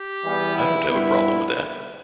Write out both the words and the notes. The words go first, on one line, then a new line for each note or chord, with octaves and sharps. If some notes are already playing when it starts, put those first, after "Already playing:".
I don't have a problem with that.
Already playing: G4
E2 E3 G3 B3
E4
G2 G3 B3 E4